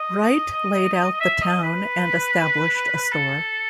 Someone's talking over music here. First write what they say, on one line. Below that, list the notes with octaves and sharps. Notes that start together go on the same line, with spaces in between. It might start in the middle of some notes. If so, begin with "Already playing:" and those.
Wright laid out the town and established a store.
Already playing: D#5
E5
D#5
B4
A4